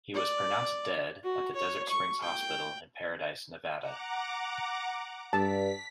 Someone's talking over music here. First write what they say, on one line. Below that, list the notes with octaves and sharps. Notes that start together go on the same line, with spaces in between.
He was pronounced dead at the Desert Springs Hospital in Paradise, Nevada.
D5
F#4
C#5
C#6
G5
F#5 A#5 D6
G2 A5 B6